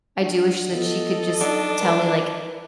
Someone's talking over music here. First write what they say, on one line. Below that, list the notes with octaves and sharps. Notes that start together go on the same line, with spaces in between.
I do wish that she could just tell me, like
D4 F#4
F3 B3 A4 D#5
F#3 D4 D#4
A#4 B4